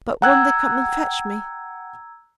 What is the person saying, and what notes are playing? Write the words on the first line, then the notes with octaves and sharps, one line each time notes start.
"But won't they come and fetch me?"
F#5 G5 A#5 E6 F#6 G#6